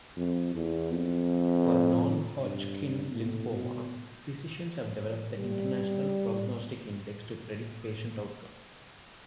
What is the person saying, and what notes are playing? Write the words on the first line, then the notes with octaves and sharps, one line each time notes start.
For Non-Hodgkin lymphoma, physicians have developed the International Prognostic Index to predict patient outcome.
F2
E2
F2
G2
A2
B2
G3